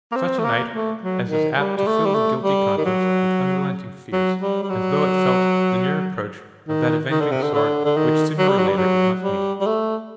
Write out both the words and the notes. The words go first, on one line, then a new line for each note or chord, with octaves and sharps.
Such a night as is apt to fill the guilty conscience with unresting fears, as though it felt the near approach of that avenging sword which sooner or later it must meet.
A#3
C4
A3
A#3
A3
F#3
D#3
G3
G3
A3
G3
A3
G3
D#3
F#3
F#3
G3
G3
F#3
D#3
D#3
D3
C3
D3
D3
D3
D#3
F#3
G3
F#3
G3
F#3
G3
G3
A3